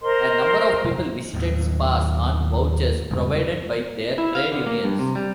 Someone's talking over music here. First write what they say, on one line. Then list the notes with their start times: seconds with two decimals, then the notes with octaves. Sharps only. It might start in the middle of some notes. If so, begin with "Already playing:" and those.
A number of people visited spas on vouchers provided by their trade unions.
0.02 A#4 C5 D#5 C6
1.34 D#2 A2
3.11 E2 G2 C#3 G#3
4.18 E4
4.35 F5
4.52 D3
4.67 A#3
4.84 G2
4.99 C3
5.15 G3